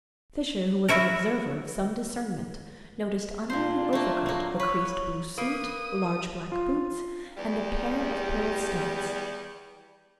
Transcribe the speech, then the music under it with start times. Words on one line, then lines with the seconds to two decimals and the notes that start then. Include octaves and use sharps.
Fisher, who was an observer of some discernment, noticed under the overcoat a creased blue suit, large black boots and a pair of pearl studs.
0.89 E4 F#4 A#4
3.50 A#2 D4 F4 C5
3.93 A3 A#3
4.26 F#3 A#3
4.60 B4 C#5
5.38 A#3 B4 D#6
6.52 F4
7.37 E2 G3